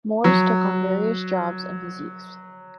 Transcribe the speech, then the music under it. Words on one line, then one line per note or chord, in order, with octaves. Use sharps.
Mores took on various jobs in his youth.
F#3